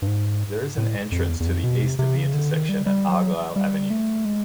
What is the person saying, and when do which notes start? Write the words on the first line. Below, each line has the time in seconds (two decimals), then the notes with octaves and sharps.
There is an entrance to the east of the intersection at Argyle Avenue.
0.02 G2
0.07 G#2
0.77 A2
1.12 F2
1.29 E2
1.40 E2
1.47 F2
1.64 B2
1.82 C3
1.99 C3
2.16 C#3
2.34 D3
2.51 D#3
2.69 G3
2.86 G3
3.09 F#3
3.56 G3
3.90 A3
4.25 G#3